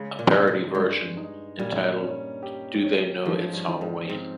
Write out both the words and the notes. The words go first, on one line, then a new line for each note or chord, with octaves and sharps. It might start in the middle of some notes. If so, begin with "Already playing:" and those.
A parody version entitled Do They Know It's Hallowe'en?
Already playing: C#3 G#3
A#2
G#3
G#2
G2 G#3
D#4
A#2 G3
C#4
G4
C#4
G#2 F3
G2
F3
G#2
G#2 C4